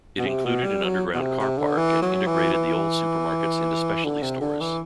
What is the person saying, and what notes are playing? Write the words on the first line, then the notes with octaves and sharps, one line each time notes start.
It included an underground carpark and integrated the old supermarkets into specialty stores.
B2
C3
B2
G3
F#3
B2
C3
C3
D3
E3
F#3
E3
E3
D3
C3
D3
E3